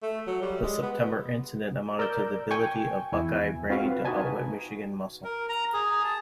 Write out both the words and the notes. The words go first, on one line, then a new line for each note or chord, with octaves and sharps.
The September incident amounted to the ability of Buckeye brain to outwit Michigan muscle.
A3
F#3
G3
G#3
B3
A#4 D5 E6 G6
G5 G#5 C#6
E2 E4 G#5
C4 F4 F#4 B4 F5
D#4 F#4 B4 D#5 G#5 A5
A#4
A#5
G#4
A5